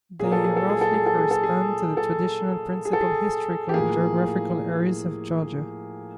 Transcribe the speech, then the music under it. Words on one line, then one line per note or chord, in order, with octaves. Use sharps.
They roughly correspond to the traditional principal historical and geographical areas of Georgia.
A#2 F#3 A#3 G#4
A4
G#4
A4
G#4
A4
G#4
A4
G#4
A4
G#4
A4
G#4
A4
G#4
G4
A2 F3 A#3 G#4